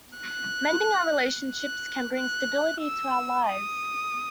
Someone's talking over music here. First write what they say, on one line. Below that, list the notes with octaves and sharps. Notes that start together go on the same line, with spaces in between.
Mending our relationships can bring stability to our lives.
F#6
F#6
F#6
E6
D#6